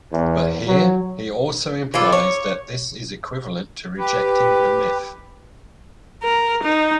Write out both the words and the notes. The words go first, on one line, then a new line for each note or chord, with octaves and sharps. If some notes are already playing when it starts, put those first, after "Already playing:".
But here he also implies that this is equivalent to rejecting the myth.
E2
F#3
E3 F4 A4 D5
C#5
G4 B4
A#4
D#4